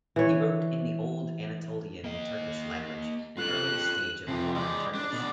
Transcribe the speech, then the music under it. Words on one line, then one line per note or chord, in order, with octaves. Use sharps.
He wrote in the Old Anatolian Turkish language, an early stage of modern Turkish.
E3 C#5
A#3 D#5
F4 A4 F#6
C3 F3
G#3 D5
D4
B2 D5